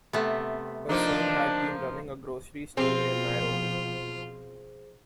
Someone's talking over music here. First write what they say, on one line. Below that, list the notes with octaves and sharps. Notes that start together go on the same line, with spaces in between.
Her son had been running a grocery store in Nairobi.
C3 A3 B3
F3 A#3 D4 D#4
B2 F3 C4 F4 G#4 C5